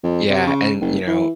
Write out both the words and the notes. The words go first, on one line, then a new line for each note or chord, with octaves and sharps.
Yeah, and, you know,
F2
C3
C#3
F#1
E3